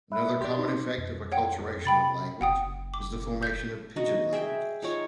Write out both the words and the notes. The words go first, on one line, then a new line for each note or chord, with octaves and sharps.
Another common effect of acculturation on language is the formation of pidgin languages.
E5 B5 F#6
G4 D5 C6
D#4
F2
C#5 F#5 G5
C3 G5 B5 A6
F#1 F#5 G5 D#6
D6
G6 B6
D#4 F#4 D#5
G#4 E5 G5
D#4 F4 C#5